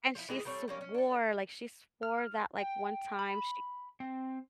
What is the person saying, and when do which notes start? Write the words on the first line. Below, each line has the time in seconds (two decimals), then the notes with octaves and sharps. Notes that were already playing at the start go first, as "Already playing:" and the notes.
And she swore, like, she swore that, like, one time she
0.15 F3 E4
0.29 E3 G#3 G4 G#4
0.45 G3 A3 C4 C#5
0.68 G3 A#3 C#4
0.81 C#4
0.95 D4 A4
2.03 F6
2.58 G5
3.19 B5
4.00 C4